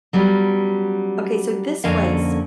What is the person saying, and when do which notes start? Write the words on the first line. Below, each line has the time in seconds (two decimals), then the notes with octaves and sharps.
Okay, so this place
0.13 F#3 G3 B3 C#4
1.84 F2 D3 A#3 C#4 C5 F5